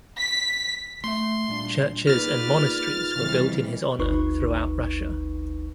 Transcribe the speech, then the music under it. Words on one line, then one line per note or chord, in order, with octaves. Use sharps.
Churches and monasteries were built in his honor throughout Russia.
B6
A3 E5 C6
A#2 G3 D4
A#3 D#4 F4 G#4 B4 D5 F6 A6
F2 C#3 E3 G3
G1 D2 D#4 B4 C#6